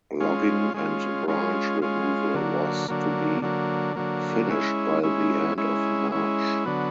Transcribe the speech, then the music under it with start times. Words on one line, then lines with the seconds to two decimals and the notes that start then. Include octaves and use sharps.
Logging and branch removal was to be finished by the end of March.
0.20 G#3 C#4 F4
0.74 G#3 C#4 F4
1.28 G#3 C#4 F4
1.82 G#3 C#4 F4
2.34 D3 F#3 A#3
2.88 D3 F#3 A#3
3.42 D3 F#3 A#3
3.96 D3 F#3 A#3
4.50 G#3 C#4 E4
5.03 G#3 C#4 E4
5.58 G#3 C#4 E4
6.12 G#3 C#4 E4
6.65 D3 F#3 B3